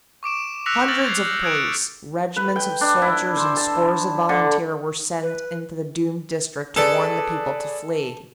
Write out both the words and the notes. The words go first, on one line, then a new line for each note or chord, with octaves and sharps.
Hundreds of police, regiments of soldiers and scores of volunteers were sent into the doomed district to warn the people to flee.
C#6 D6 D7 E7
E6 F#6 A#6 B6 C#7 F7
F6 G6 A6 A#6 E7 F#7
G6 G#6 C7
D#6 F#6 G#6 C#7 D7 E7
B4
G5
D4
E4
C5
A5
D3
B4
G#4 A4 B4 D5